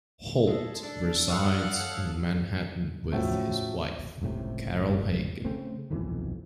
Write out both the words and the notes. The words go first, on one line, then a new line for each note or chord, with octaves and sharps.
Holt resides in Manhattan with his wife, Carol Hagen.
G#3 A4
D4
F5 F#5 D#6 E6
A4 C#5
A2 C#3 F3 F#3 A3
F#1 C#2 A2 C3
C#3 A3 C4
D#1 B1 F2 E3